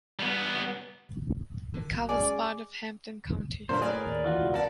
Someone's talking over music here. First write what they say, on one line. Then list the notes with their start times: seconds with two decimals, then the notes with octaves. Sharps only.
It covers part of Hampden County.
0.19 G3 B3
1.74 D3 D#3
1.90 B1 B2
2.09 G#3 C#4 D5 G#5
3.69 F#2 A#2 D3 A3 B4 C5
3.82 A2 G#4 A#4 B4 D5
4.06 D#2
4.24 E3 F4 F#4
4.40 E1 C#2
4.54 A#3 A#4 D5 A5